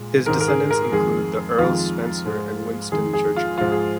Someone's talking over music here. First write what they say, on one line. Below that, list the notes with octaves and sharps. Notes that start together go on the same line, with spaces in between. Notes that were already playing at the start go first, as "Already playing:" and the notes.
His descendants include the Earls Spencer and Winston Churchill.
Already playing: A#2 G#3
G#2 D#3 G#3 A#4
A#4
G#4
A#4
F2 D#3 G#3 G#4
F2 D#3 G#3 F4
G#2 G#3
F2 D#3 G#3 G#4
G#4
F4
G#2 F3 G#3 F4
G#4